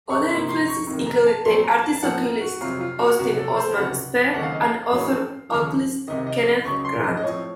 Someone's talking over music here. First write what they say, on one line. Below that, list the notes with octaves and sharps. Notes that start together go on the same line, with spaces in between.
Other influences included the artist-occultist Austin Osman Spare and author-occultist Kenneth Grant.
C#6
C3 F3 A#3 D#4 C6
C6
C#6
F2 C3 D#3
A#5
A5
A#2 F#3 A3 C4 C6
A#5
A5
A5
A2 F3 A#3 F#5
A#4
F#4
F2 C3 F#3 C4 F4
F4
F#4
C2 C3 F#3 F#4
A4
A#4
C5
C#2 C3 F#3 F#5
D#2 C#3 A3 C4 D#4 F#5
F5
D#5
F5
A1 A2 F#3 A#3 C#4
D#2 C#3 F3
C2 C3 D#3 D#5
D#5
C#2 C#3 F#3 C#6
C6
D#5
D#5
A2 F3 C4 C#5